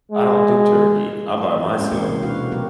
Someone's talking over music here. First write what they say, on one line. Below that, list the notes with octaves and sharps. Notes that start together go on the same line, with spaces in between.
I don't do turkey. I'm by myself,
G#3
G#3 A#3 C#4 G4 C5
E3 G#3 A#3 C4 F#4
C3
B2 D4 F#4 B4 F5
A4
F#3 B3 F#4 G4 A#4